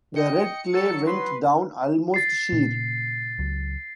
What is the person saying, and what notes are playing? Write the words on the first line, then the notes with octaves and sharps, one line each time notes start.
The red clay went down almost sheer.
D#5 G5 C#7
F#3 A4
B4 C6
A6 C7
A#2 C#3
C#2 F#3